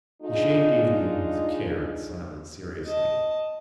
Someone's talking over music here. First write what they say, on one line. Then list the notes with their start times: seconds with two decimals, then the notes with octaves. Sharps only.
He shaved evenly and with care, in silence, seriously.
0.22 G#3 D4 D#4 F4
2.85 D#5 A5